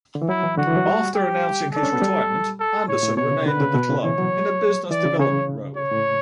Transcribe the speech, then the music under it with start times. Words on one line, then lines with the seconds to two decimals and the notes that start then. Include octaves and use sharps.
After announcing his retirement, Anderson remained at the club in a business development role.
0.15 D3
0.22 E3
0.29 F#3 E4
0.43 E3
0.58 D3 F#4
0.67 E3
0.77 F#3
0.86 G3
1.15 G4
1.73 D4 A4
1.83 C#4
1.93 B3
2.02 G3
2.60 A4
2.88 A2 C#5
3.03 A2
3.17 B2 C#5
3.31 C#3
3.46 D3 B4
3.61 C#3
3.75 B2
3.89 C#3
4.03 E3 C#5
4.18 F#3
4.90 E3 D5
5.05 C#3
5.19 C#3 C#5
5.77 C#5
5.91 A2